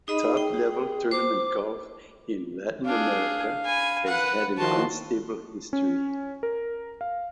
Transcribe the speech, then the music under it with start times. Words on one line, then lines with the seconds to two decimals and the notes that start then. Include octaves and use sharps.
Top level tournament golf in Latin America has had an unstable history.
0.08 D#4 G#4 D#5 B5
0.37 G5
1.11 C5 D6
2.86 D4 G#4 F5
3.65 G#5 B5
4.07 B4 F#5
4.58 D#3 F3 F#4 A5 C6
5.73 C#4
6.43 A#4
7.01 F5